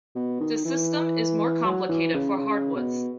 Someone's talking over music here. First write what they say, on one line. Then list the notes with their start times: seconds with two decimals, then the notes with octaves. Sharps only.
The system is more complicated for hardwoods.
0.16 B2
0.40 D#3
0.65 E3
1.64 F#3
1.89 E3
2.14 C#3
2.38 C#3
2.75 B2